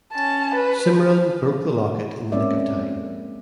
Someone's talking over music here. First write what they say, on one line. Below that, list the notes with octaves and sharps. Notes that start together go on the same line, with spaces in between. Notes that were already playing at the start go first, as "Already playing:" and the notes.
Simran broke the locket in the nick of time.
C#4 A5
B4
G#3 A#3 C4 C#4 D5 E5